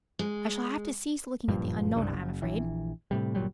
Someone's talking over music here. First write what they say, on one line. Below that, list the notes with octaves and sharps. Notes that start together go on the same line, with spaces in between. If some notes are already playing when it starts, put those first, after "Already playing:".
I shall have to cease looking at the Unknown, I am afraid.
G#3
F#1 G2 A#2 F3
F#1 C2 G2
F#1
A#1 E3
A2 C3 G3
G1 A#2 F#3 G3